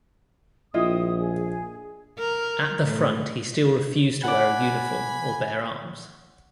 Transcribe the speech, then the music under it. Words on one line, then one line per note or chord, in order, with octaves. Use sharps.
At the front he still refused to wear a uniform or bear arms.
A#1 E4 F4 D#5 G5 D#6
G#4
A#4
A2
D5 F#5 G#5 B5